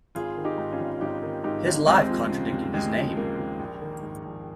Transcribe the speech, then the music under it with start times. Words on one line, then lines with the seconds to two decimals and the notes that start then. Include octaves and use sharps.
His life contradicted his name.
0.15 G#1 F4 G#4
0.37 D#3
0.44 D#4 G4
0.58 G#2
0.72 C#4 F4
0.80 G#1
1.01 G#1 D#4 G4
1.23 D#3
1.44 G#2 D#4 G4
1.66 G#1
1.87 D#2 G#3 C4
2.10 F3
2.30 C#3
2.52 D#2
2.74 D#2 G#3
2.96 F3
3.16 C#3 A#3
3.37 D#2
3.59 A#1
3.82 D#3
4.02 G#2
4.25 A#1